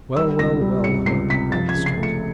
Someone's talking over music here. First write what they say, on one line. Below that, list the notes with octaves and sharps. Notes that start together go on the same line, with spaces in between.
"Well, well, well!" Herbert remonstrated.
G3 E6
C#2 A#6
G3
C3 C#7
C#2 C7
C3 B6
F3 A6
G#6
C#3
C7
A3
C#7